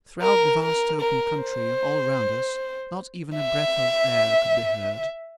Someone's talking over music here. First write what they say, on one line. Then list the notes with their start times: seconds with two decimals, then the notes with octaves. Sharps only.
Throughout the vast open country all round us, not even a breath of air could be heard.
0.22 A#4
0.62 A#4
1.01 A#4
1.41 C5
3.37 E5